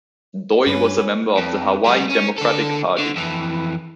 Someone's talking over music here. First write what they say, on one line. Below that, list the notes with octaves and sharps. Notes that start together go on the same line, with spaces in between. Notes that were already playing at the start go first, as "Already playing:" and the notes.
Doi was a member of the Hawaii Democratic Party.
G2 C#4 B4
F2
G3 G#4
C#4
D3 A4
D3
F2 E3